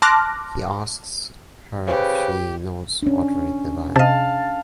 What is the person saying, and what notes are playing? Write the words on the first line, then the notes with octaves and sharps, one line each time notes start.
He asks her if she knows Audrey Devine.
A5 C6 D6 F6 F#6 A#6
C#3 G4 B4 C5
C#4 D4
C3 D#5 F5 A5